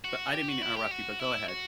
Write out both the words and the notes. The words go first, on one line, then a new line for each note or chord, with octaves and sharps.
but I didn't mean to interrupt you but go ahead.
F#4
G4
F#4
E4
G4
F#4
E4
F#4